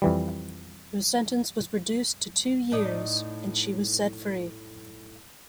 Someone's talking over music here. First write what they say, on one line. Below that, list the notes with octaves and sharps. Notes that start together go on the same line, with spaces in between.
Her sentence was reduced to two years and she was set free.
F2 E3 G3
A2 D#4 D5